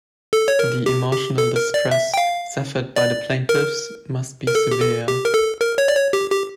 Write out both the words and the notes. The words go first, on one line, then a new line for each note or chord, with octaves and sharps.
The emotional distress suffered by the plaintiffs must be severe.
A4
C#5
A#4
G4
G4
A4
A#4
D5
E5
G5
F5
D5
A#4
A#4
A4
G4
A4
G4
A#4
A4
A#4
C#5
D5
C#5
G4
G4